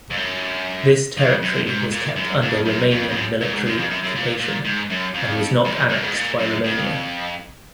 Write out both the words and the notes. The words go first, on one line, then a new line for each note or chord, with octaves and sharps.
This territory was kept under Romanian military occupation, and was not annexed by Romania.
F2
F#2
F2
F#2
G#2
A#2
F#2
F2
F#2
F2
F2
F#2
A#2
G#2
F#2
F2
F#2
F#2
A#2
A#2
G#2
F#2
F2
F#2
F#2
G#2
A#2
F#2
F2